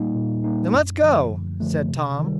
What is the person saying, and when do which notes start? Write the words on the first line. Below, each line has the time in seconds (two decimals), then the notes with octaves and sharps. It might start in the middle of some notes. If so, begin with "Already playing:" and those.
"Then let's go," said Tom.
Already playing: A#2 G3 A#3 D#4
0.15 A#2
0.44 G3 A#3 D#4
0.74 F#2
1.03 D3 F3 A3
1.32 F#2
1.61 D3 F3 A3
1.91 C3
2.19 D#3
2.24 G3